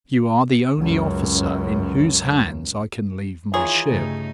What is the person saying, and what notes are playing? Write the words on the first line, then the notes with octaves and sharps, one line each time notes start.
You are the only officer in whose hands I can leave my ship.
C#2 F#2
D#3 E3 F4 G#4 C#5 A#5 C6
G2 C#3 A3 D#4